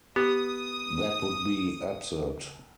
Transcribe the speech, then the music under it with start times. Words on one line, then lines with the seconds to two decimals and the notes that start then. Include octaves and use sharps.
That would be absurd.
0.16 B3 G4 D#6